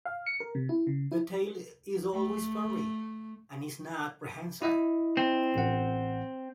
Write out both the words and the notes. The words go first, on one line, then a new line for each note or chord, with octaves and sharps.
The tail is always furry and is not prehensile.
F5
C#7
A#4
C3
E4
C#3
E4
A3
E4 D#5 E5
C4
A1 F#5